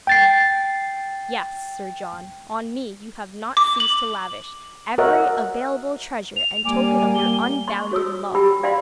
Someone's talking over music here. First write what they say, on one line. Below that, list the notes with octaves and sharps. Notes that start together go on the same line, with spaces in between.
Yes, Sir John, on me you have not ceased to lavish every available treasure and token of your unbounded love.
G5 A6 C7
D6
F#7
F#4 A#4 C#5 D#5 E5 F#5
F7
G3 A#3 G#5 D6
G7
C6 C#6
F#4 C#5 D#6 E6
G4 G5 B5 E6
D5 F5 G5 B5 C6